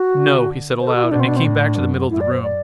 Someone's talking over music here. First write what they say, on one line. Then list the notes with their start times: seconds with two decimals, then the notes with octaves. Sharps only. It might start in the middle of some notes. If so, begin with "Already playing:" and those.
"No," he said aloud, and came back to the middle of the room.
Already playing: F#4
0.14 D3
0.80 C5
0.87 A4
0.95 F#4
1.04 E4
1.11 B2 D4
1.20 C4
1.28 D4
1.36 C4
1.44 A2 D4
1.77 F#2
2.09 F#2 E4
2.20 D5
2.31 C5
2.43 D5